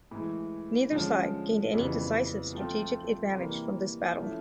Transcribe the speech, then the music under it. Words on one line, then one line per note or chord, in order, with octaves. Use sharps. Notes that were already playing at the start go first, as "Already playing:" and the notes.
Neither side gained any decisive strategic advantage from this battle.
A2 E3 G#3
D3 F3 G#3 C#4
F2 C#3 E3 G3 B3
F3 A3 C4 F4
C3 E3 G3 A#3
F3 A3 C#4 E4